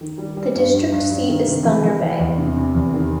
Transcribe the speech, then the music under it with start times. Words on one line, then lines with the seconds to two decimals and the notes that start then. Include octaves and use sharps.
The district seat is Thunder Bay.
0.01 D#3
0.18 G3
0.37 G3
0.56 G2
0.73 G2
0.92 G2
1.10 G2
1.28 D#3
1.46 C3
1.64 E3
1.83 E3
2.02 E3
2.19 E2
2.38 C3
2.56 C3
2.75 E2
2.93 D#3